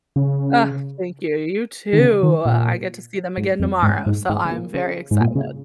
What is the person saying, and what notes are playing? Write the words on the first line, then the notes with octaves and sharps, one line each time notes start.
Ugh, thank you, you too, I get to see them again tomorrow, so I'm very excited.
C#3
D#3
C#3
D#3
A#2
G#2
F2
G#2
G#2
G#2
C#3
A#2
C#3
G#2
A#2
C#3